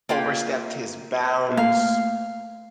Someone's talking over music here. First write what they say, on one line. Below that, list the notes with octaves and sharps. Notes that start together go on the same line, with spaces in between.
overstepped his bounds
A#3 F4 G4
A3 A#3 F5